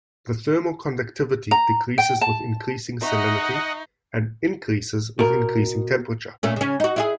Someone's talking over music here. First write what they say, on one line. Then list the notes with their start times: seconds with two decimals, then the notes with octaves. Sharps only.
The thermal conductivity decreases with increasing salinity and increases with increasing temperature.
1.51 A#5
1.98 G5
2.21 A5
3.02 D#4 D#5 E5 F#5 C#6
5.19 B2 A#4
6.43 A#2 A3 C#4
6.56 C#3 C#4
6.80 D#4 F#4
6.96 E4 F4 G#4